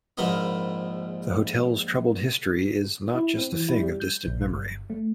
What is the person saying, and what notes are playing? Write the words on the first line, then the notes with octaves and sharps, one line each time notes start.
The Hotel's troubled history is not just a thing of distant memory.
A#1 G#2 A#4 B4 D#5
E4
C4
E3
E4
G3
G6
A#1
G1
A3